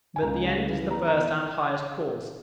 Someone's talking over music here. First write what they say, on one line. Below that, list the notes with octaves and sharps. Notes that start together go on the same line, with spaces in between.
But the end is the first and highest cause.
G#5
C#2 A#5
C#3
E3
B3 A#5
A#5